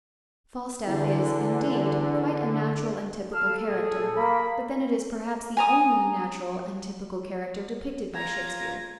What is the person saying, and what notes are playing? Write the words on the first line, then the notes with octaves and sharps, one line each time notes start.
Falstaff is, indeed, quite a natural and typical character; but then it is perhaps the only natural and typical character depicted by Shakespeare.
E2 D3
A4 F5 E6 F6
A#2 G#4
A#3 B5
G#5 A#5 D#6
F4 A#5 G#6